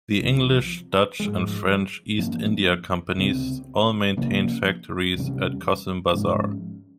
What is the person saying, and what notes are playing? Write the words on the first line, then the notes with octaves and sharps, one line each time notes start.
The English, Dutch and French East India companies all maintained factories at Cossimbazar.
C2 C3 F3
G#2 F3 G#3
G2 F3 A#3 C#4
C#2 C3 G3 C4
C3 F3 A#3 C#4
E2 C3 G3 C#4
G#2 F3 G#3 C#4